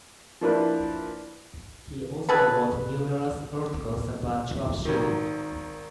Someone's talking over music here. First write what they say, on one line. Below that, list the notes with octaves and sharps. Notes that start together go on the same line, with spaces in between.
He also wrote numerous articles about trapshooting.
F3 A#3 D4 E4 B4
G#4 A4 B4
G#1 D#3